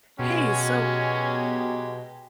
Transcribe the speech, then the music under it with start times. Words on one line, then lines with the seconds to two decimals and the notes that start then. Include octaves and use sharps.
Hey, so,
0.19 B2 F#3 G#3 C#4 G4